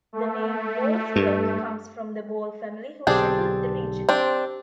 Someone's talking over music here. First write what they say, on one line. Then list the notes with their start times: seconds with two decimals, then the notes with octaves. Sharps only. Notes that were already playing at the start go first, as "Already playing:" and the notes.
The name "Boalsburg" comes from the Boal family who settled the region.
0.13 A3
1.16 G2
3.07 B1 D3 C4 D4 G4 G#4 A5 D6
4.09 C4 D4